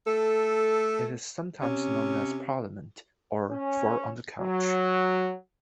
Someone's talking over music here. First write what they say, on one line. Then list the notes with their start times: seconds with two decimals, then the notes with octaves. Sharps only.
It is sometimes known as "Parliament" or "Four on the Couch".
0.06 A3 A4
1.61 C3 C#4
3.51 C#4
4.41 F#3